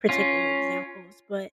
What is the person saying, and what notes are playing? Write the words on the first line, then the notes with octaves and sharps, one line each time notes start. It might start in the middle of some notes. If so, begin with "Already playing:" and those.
particular examples- but
C#4 F4